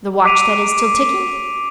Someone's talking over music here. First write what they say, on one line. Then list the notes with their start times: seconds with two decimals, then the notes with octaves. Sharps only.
"The watch that is still ticking?"
0.25 D6 B6 C7 D7 D#7 F7